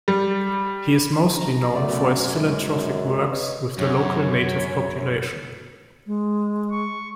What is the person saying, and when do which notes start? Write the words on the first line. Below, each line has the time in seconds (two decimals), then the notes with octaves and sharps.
He is mostly known for his philanthropic works with the local native population.
0.08 G3
1.36 A1 B2 A#5
1.74 F#2 A3 B3 D5
2.34 G#3
3.30 B4 C#5 D#5
3.78 F#2 C#5
6.06 G#3
6.72 C#6